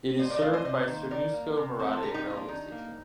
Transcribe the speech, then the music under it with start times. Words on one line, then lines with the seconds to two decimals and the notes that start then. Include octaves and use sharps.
It is served by Cernusco-Merate railway station.
0.18 A2 C5 D#5
0.30 A#4 D5
0.37 D#5
0.41 F3 A3 D5 F5
0.53 C5 D#5
0.64 C3 C5 D#5
0.87 D#3 A#3
1.11 D#3 A#4 D5
1.34 A#3
1.57 C3
1.79 F3 A3 C4
1.93 A4
2.02 D3 G4 A#4
2.14 D#4 G4
2.25 F3 A#3 D#4
2.37 D4
2.49 D#3 D#4
2.72 A#3